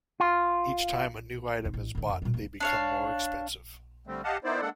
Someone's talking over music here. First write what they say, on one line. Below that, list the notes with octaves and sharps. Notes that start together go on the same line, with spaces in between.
Each time a new item is bought, they become more expensive.
F4
B1 E2
A1
A2 D3
F2
A#2 G3
D#2 A#3
D4 C#5 F5
D3 G3 A3 C4
G4 D#5 F5 F#5 A5
D#3 B3 D#4 E4 C5 D5
G#3 A#3 D4 A4 F#5